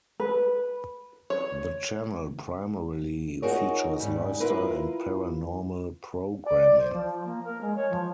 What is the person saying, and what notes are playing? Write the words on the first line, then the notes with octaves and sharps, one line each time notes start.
The channel primarily features lifestyle and paranormal programming.
B4
C#5
D#4 F4 F#4 G#4 A#4 C#5
G#2 C#3 G3
E4 F4 A#4 B4
D5
C5
F3
A#3
A#4
G#3
C#5
F3